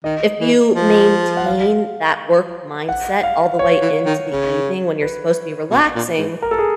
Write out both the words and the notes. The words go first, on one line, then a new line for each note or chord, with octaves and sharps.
if you maintain that work mindset all the way into the evening when you're supposed to be relaxing,
D#3 D#5
E3
F3
F#5
F5
F#5
F5
C#5
E3
D#3
C#3
B4
B2
A#2
G#2
A#4
A4
G#4